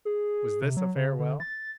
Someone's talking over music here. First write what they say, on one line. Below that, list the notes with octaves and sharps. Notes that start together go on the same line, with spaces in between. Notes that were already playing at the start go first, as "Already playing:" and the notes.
Was this a farewell?
G#4
C3
F#3
C#3
D3
A6